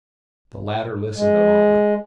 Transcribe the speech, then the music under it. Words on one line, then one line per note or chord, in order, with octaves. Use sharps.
The latter listened a moment.
G#3